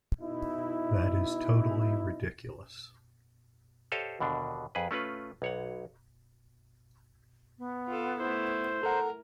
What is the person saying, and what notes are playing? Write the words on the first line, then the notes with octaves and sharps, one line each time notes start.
That is totally ridiculous.
B2 D#4 E4
G4 A4 C5 C#5 D#5 F5
D#2 B2 D3 D4
F2 G#4 B4
A3 C#4 F4 B4
B1 C#5 F#5
B3
F4 A4
A3 E4 C5
A4 A#4 F#5 A#5